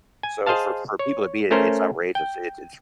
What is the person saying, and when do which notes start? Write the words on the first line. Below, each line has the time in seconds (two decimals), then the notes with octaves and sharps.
So for for people to be in it, it's outrageous. It's it's
0.23 G#5
0.46 G#4 C5 D#5 F5 A5
0.99 C#5
1.51 A3 C#4 A#4 C5
2.15 G5